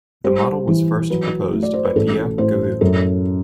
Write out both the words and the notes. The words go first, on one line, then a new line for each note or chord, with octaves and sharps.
The model was first proposed by Pierre Carreau.
G3 C5
E3
F#3 B4
A3
D5
C5
B4
A1 A4
A2 C5
F#2 A4